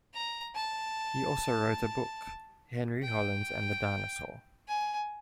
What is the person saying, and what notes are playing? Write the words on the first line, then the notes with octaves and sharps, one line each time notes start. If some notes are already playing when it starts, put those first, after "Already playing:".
He also wrote a book, "Henry Hollins and the Dinosaur".
A#5
A5
G5
G#5